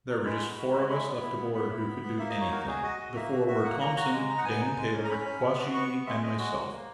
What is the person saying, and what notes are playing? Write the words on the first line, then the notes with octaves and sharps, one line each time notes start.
There were just four of us left aboard who could do anything. The four were Thompson, Dan Taylor, Quashee, and myself.
F#3
G#3 B5
F#4
F#4
G#3
E4 B5
B3
E4
B3
B3 B5
E4
B3
B3
A#3 E5
D#5
D#4
C#5
F#4 A#4
F#4 G#4
F#4 D#5
F#4
A#3 E5
F#4
F#4 E5
A#3 F#5
A#3 A#5
F#4 A#5
G#3
D#4
F#5
B3 G#5
D#4
G#3
C#4
A#5
C#4 B5
C#4
B3
F#4
B3 C#6
B3
G#3 E5
G#3 D#5
G#3 F#4
F#4
A#3